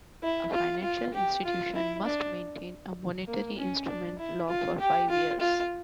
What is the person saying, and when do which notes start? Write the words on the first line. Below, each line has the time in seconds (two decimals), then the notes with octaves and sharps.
A financial institution must maintain a Monetary Instrument Log for five years.
0.23 E4
0.53 F4
0.83 F4
1.14 G4
1.45 F4
1.75 E4
2.06 D4
3.28 A#3
3.58 C#4
3.88 D4
4.19 E4
4.49 F4
4.80 G4
5.10 F4
5.40 F4